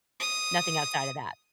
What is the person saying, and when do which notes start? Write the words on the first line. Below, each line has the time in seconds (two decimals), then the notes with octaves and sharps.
nothing outside of that.
0.20 D#6